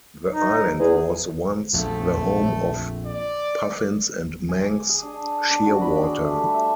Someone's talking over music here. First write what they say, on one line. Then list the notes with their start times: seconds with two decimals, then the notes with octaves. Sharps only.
The island was once the home of puffins and Manx shearwater.
0.31 D#4
0.79 E2 G#4
1.73 A#1 F2 A3
3.06 D5
4.49 G#5
4.64 D6
4.89 G#4
5.03 D4
5.51 D4
5.66 F#4
5.81 B5
6.03 G#4
6.18 A3
6.31 G3
6.54 E5